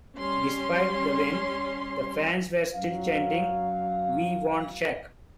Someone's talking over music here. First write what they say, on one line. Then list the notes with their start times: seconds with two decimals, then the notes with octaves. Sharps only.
Despite the win, the fans were still chanting We want Shack!
0.16 G3 C#4 C6
2.75 F#2 F#3 F5